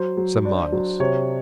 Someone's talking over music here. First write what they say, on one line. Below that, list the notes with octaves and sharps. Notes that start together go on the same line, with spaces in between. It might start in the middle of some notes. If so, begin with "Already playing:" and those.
"Some miles."
Already playing: F#3 C5
F#3
D4
F#3
C3 C#5